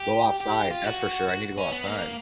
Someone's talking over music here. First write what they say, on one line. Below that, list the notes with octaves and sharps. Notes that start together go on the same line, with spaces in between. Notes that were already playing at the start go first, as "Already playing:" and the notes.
Go outside, that's for sure, I need to go outside.
Already playing: G4
G4
F4
F#4
F#4
C#4
B3
A#3